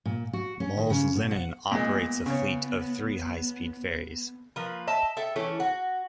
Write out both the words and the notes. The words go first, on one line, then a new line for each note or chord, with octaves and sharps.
Mols-Linen operates a fleet of three high speed ferries.
A#2
F#4
C#4
D#3
C#3
B2
F#5
A#2 G#3 B3
C#3 C#5
F3 A#3 B4
D#5 E5 A5
A4 E5 G5
E3 A3 C#4 E4
F#4